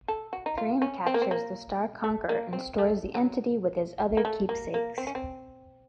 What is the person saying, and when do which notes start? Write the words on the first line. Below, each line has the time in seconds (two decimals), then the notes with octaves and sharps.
Dream captures the Star Conqueror and stores the entity with his other keepsakes.
0.08 A4
0.33 F#4
0.46 D#4
0.58 F4
0.82 C#4
1.06 C4
1.14 A#3
1.22 C4
1.31 A#3
2.04 A3
2.29 A#3
2.53 C4
2.78 A3
3.15 F#3
4.17 A#3
4.25 A3
4.49 A#3
4.74 A#3
4.98 C4
5.07 C#4
5.15 C4